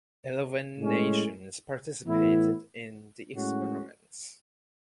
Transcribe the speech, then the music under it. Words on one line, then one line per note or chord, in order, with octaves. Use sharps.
Eleven nations participated in the experiments.
A2 G#3 C#4
A2 E3 B3 E4
A2 G#3 C#4 F#4